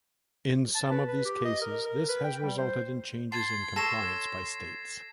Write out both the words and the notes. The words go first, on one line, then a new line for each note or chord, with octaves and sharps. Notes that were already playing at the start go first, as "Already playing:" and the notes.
In some of these cases, this has resulted in changes in compliance by states.
A5
B4
B4
G4
D#5
A#4
A#4
B4
G5
G3
C5
A5 C6 G#6 A6 C7
A4 C#5 A5 A#6 C7 E7